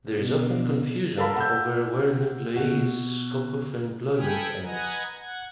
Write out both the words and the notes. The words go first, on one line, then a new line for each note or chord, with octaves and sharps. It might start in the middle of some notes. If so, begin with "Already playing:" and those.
There is often confusion over where an employee's "scope of employment" ends.
B2 D3
A4 A#4 F5 A5 B5
F#5 E6 G6
B2 F#4
A4 G5 G#5 B5 D#6 F6
B4 D#5 F#5 G#5 A#5
F#5 G#6